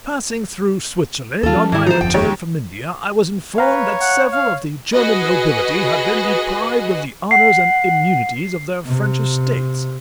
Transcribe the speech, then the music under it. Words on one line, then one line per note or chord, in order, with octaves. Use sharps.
Passing through Switzerland on my return from India, I was informed that several of the German nobility had been deprived of the honours and immunities of their French estates.
D#2 D#3 F4 A4
F3 C#4
G#2 D#3 E3 E4
F3 C5 A#5
G1 F2 G5
D#2 G4 C#5
B4 C#5 F5 A#5
F#5
F5
F#4 G#4 B4 D#5
F#5 C7
C3